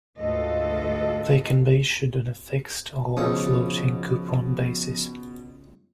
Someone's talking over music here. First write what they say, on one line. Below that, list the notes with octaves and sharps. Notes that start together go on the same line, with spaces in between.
They can be issued on a fixed or floating coupon basis.
D2 G#2 F4 A4 B4 D#5
C#2 B2 F3 C#4 D#6